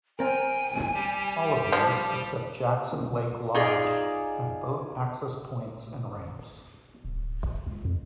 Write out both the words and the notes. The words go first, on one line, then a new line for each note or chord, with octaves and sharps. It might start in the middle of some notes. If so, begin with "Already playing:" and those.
All of these except Jackson Lake Lodge have boat access points and ramps.
C4 A#4 G5 G#5
G3 G4
F3
D#4 F4 G#4 D5
D1
C#2
F2